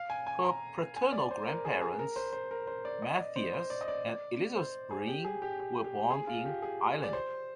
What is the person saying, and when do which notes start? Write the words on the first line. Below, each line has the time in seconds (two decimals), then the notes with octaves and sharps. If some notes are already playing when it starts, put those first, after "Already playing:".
Her paternal grandparents Matthias and Elizabeth Breen were born in Ireland.
Already playing: F5
0.10 G#5
0.27 G#5
0.45 A#5
0.96 G#5
1.12 D5
1.31 C5
1.47 A#4
1.65 G#4
1.81 G#4
1.99 A#4
2.16 C5
2.33 C5
2.51 A#4
2.67 C5
2.85 D5
3.02 D#5
3.18 D5
3.36 C5
3.54 C5
3.70 D5
3.81 D#5
3.88 D5
4.56 C5
4.91 G#4
5.08 G4
5.25 G#4
5.42 G4
5.60 G4
5.84 G4
6.10 G#4
6.27 F4
6.46 G4
6.62 G#4
7.04 D5
7.13 C5